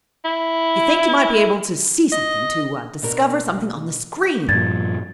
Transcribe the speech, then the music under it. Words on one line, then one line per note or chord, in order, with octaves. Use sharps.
"You think you might be able to see something, to discover something on the screen?"
E4
D#5
B2 D4 A#4
G2 A#2 F3 G#6 A6